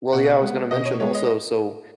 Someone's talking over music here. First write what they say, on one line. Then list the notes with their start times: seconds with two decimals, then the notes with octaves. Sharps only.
well, yeah, I was gonna mention also. So,
0.13 B2 F#5
0.42 G#3 B3
0.71 B2 D#5
0.85 C#5
1.00 G#3 B3 C#5
1.15 D#5